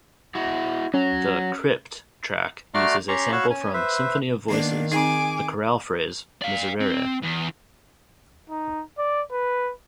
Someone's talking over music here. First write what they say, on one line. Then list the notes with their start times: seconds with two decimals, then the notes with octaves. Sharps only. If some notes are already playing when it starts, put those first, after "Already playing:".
The "Crypt" track uses a sample from "Symphony of Voices"; the choral phrase "Miserere".
0.35 E4 F#4
0.94 F#3 C#4
2.74 A3 F#4 D5 A#5 C6 F6
3.08 C#4 G4 A#5 C6 C#6
3.32 F#4 C#5 F5 B5 C#6 E6
3.50 C#4 G#5
3.74 B4 C5 E5
4.48 D#3 A#3 B3 D4
4.92 C4 D#4 G#4 G#5 D6
6.42 D5 F5
6.80 C4
7.22 E2
8.50 D#4
8.98 D5
9.32 B4